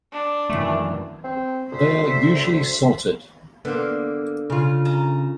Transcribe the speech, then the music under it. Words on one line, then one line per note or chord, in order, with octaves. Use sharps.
They are usually salted.
D4
F#2 D#3 E3 A3
C4
D2 C5 E5
D3 A#3 B3 C5
C#3 F4
D#5 A5 A#5